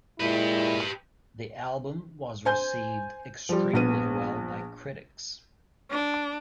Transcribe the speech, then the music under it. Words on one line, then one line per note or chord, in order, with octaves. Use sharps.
The album was received extremely well by critics.
A#2 G#3 E4 G4 B4
C5 G#5 G6
F3 G3
A#1 B3 D#7
D4